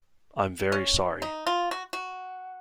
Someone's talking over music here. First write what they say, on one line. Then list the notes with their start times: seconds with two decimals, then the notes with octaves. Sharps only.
I'm very sorry.
0.72 C#4
1.22 D#4
1.47 F4
1.71 F#4
1.93 F#4